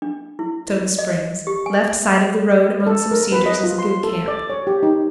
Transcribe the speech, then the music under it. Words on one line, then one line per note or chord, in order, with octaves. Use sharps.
Soda Springs.--Left side of the road, among some cedars, is a good camp.
D4
E4
D#5
G4
G#5
A4
A#4
B4
D#5
F4
C6
A4
D5
C#5
G4
D#4